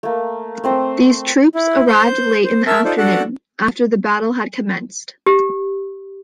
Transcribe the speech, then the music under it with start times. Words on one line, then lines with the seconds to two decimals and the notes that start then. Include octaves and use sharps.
These troops arrived late in the afternoon, after the battle had commenced.
0.03 A3 A#3
0.64 A3 C4 C5
1.55 E4
1.87 C5 G6
2.44 C5
2.67 A#4 E5 A5 E6
2.85 D#4 F4 A4 C5 D5
2.98 D4 F#4 A4 D5 F#5 A5
5.26 G4